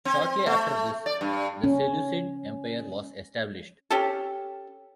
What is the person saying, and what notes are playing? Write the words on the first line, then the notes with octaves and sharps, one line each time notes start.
Shortly after this the Seleucid Empire was established.
C4
A3
D5
G2
C#4
C#4 G4 A4